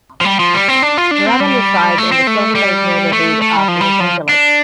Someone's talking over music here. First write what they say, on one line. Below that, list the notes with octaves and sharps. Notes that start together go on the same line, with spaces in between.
Raman resides in the Silver Lake neighborhood of Los Angeles.
F3
G3
F3
G3
C4
D4
F4
D4
C4
G3
A3
C4
A3
G3
A3
A3
G3
F3
G3
F3
D4